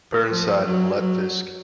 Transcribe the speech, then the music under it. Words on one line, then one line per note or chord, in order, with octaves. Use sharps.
Burnside and Lutefisk.
F3
F#3
F#3